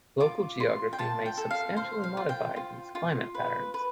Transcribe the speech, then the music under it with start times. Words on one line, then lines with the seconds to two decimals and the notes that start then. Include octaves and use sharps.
Local geography may substantially modify these climate patterns.
0.20 F4 D6
0.60 F4 C6
0.93 G5
0.99 F4 A5
1.26 G5
1.37 A4
1.51 F5
1.77 C5 F5
2.04 F5
2.17 F4
2.29 G5
2.56 F4
2.95 F4
3.35 B4
3.74 B4